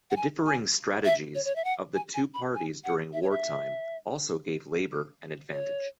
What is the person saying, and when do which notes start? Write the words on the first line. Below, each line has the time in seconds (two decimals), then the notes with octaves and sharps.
The differing strategies of the two parties during wartime also gave Labour an advantage.
0.11 F#5
0.16 G#5
0.46 G#5
1.05 E5
1.35 C#5
1.45 C#5
1.56 E5
1.64 F#5
1.95 G#5
2.14 G#5
2.34 B5
2.55 G#5
2.84 F#5
3.13 E5
3.22 C#5
3.30 E5
5.51 C#5